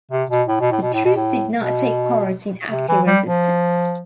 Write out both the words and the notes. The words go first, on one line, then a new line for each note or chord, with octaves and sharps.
The troops did not take part in active resistance.
C3
B2
A2
B2
A2
B2
A2
B2
A2
B2
C3
E3
G3
F3